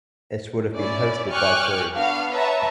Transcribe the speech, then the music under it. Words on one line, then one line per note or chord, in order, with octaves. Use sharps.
It would have been hosted by Peru.
C#4 E4 D5
G5 G#5 C#6 D6 F6 F#6
B3 D4 F#4 F5
B4 C#5 E5 A5 A#5